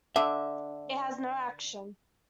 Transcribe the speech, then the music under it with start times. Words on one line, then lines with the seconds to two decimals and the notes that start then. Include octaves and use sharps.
It has no action.
0.16 D3 E5